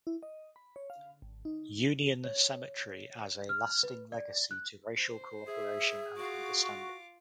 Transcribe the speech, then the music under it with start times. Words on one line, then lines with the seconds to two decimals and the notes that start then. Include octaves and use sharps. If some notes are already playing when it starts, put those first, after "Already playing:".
Union cemetery as "a lasting legacy to racial cooperation and understanding".
0.07 E4
0.23 D#5
0.56 B5
0.76 C#5
0.90 F5
1.22 G#1
1.45 D#4
2.24 C#5
3.49 F6
3.83 B4
4.12 D5
4.51 F#6
4.96 C5
5.48 G#4 E5
6.17 F4 F#4 C#6 D6